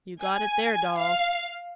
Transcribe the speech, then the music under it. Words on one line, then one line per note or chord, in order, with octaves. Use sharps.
'You got it there, Doll.
G#5
F5